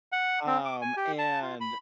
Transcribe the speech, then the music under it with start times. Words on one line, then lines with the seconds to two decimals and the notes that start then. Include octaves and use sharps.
um, and
0.12 F#5
0.47 C4
0.65 D6
0.82 G#5
0.97 G4
1.18 A5
1.42 F4
1.61 B5